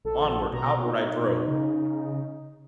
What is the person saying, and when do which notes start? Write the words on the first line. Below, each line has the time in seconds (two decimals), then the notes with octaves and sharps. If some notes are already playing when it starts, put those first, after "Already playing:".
Onward, outward, I drove.
0.05 A#1 A4
0.53 B2 A#5
0.85 D#4
1.48 C#3